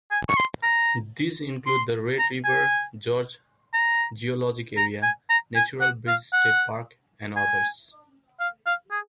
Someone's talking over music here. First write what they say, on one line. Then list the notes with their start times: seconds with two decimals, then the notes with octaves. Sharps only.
These include the Red River Gorge Geologic Area, Natural Bridge State Park, and others.
0.11 G#5
0.29 C#6
0.37 C6
0.63 A#5
1.67 C6
2.19 A#5
2.45 G#5
3.74 A#5
4.77 A#5
5.03 G#5
5.30 A#5
5.56 G#5
5.81 F#5
6.08 F5
6.33 F#5
7.37 G#5
8.40 F5
8.66 F5
8.91 G#4